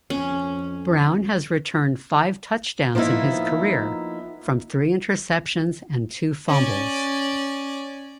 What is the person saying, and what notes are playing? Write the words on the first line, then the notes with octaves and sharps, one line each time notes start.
Brown has returned five touchdowns in his career, from three interceptions and two fumbles.
F2 C#4
F3 A#3 B3 D#4 E4
C#4 D5